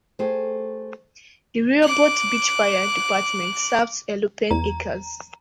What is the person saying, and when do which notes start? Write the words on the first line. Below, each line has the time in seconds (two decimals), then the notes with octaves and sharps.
The Rehoboth Beach Fire Department serves Henlopen Acres.
0.19 A3 G4 G#4 C5
1.82 D6 F#6
4.51 E2 A#5